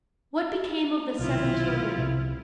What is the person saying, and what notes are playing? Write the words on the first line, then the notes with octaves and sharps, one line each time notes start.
What became of the seven children?
B1 C3 D#3 E4 F4
C2 C3